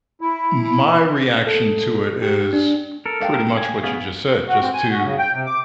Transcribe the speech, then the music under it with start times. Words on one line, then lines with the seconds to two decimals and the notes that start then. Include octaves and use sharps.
my reaction to it is p pretty much what you just said, just to
0.21 E4
1.47 A4
2.22 G4
2.53 D4
3.06 A4 A#4
3.20 D4 F5 G5
3.57 G#5
3.83 B3 C#4 G#4 F5
4.49 F#4
4.61 C4
4.74 G#5
4.91 F#4
5.04 C#3
5.19 G5
5.33 C3
5.46 D6